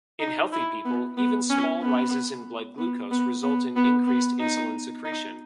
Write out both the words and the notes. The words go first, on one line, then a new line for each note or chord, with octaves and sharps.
In healthy people, even small rises in blood glucose result in increased insulin secretion.
D#4
E4
B3
B3
C#4
B3
B3
B3
B3
B3
B3
D#4
D#4